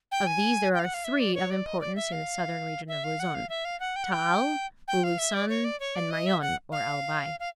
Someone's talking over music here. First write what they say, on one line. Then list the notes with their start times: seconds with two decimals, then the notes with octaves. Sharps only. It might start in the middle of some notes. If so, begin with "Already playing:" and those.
Of these there are three of importance in the southern region of Luzon--Taal, Bulusan and Mayon or Albay.
0.12 G5
0.27 G#5
0.74 G5
0.79 F5
0.84 F#5
0.94 F5
1.04 E5
1.20 D5
1.35 C#5
1.50 D5
1.66 D#5
1.81 D5
1.96 E5
2.12 F5
2.88 E5
3.04 F5
3.20 F#5
3.35 F5
3.49 E5
3.65 F5
3.80 F#5
3.96 G5
4.04 F#5
4.12 G5
4.88 G5
5.04 F5
5.19 E5
5.34 D5
5.49 C#5
5.65 D5
5.80 C#5
5.95 D5
6.11 D#5
6.26 E5
6.42 F#5
6.72 F5
7.40 F5